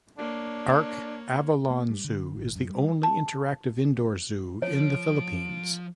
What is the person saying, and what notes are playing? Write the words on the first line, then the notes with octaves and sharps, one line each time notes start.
Ark Avilon Zoo is the only interactive indoor zoo in the Philippines.
A#3 D4 C#5
A#3
G3
D3
G#1
F#2
G3
A5
F3 C#5 D7